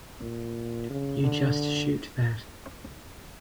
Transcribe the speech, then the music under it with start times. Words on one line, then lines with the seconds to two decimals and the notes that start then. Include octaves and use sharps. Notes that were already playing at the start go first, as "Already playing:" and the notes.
You just shoot that.
0.22 A#2
0.90 C#3
1.23 D3